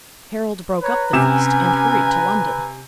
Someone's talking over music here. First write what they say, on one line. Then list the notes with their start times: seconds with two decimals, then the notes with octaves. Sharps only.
Harold broke up the feast and hurried to London.
0.82 B4 C#5 A#5
1.13 C3 C#4 G4 G#5 E7